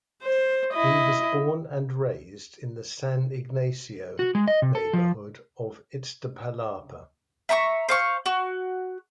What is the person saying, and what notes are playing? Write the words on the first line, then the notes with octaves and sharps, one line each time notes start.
He was born and raised in the San Ignacio neighborhood of Iztapalapa.
C5
E4 D#5
F#4
G#3
D#5
C3
A4
F3
E5 A#5 B5 C#6
C5 F5 C#6
F#4